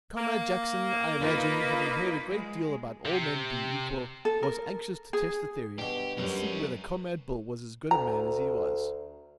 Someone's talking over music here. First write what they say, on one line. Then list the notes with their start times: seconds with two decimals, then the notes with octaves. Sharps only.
'Comrade Jackson, I imagine, having heard a great deal about all men being equal, was anxious to test the theory, and see whether Comrade Bill was as good a man as he was.
0.17 A#3
1.20 D#4 F4 B4
2.29 G#3
3.05 C3
4.25 A4
4.43 A#4
5.13 G#4
5.78 G2 B2 G4 B4
6.18 F#2 G3 A#4 C#5
7.91 D2 A#5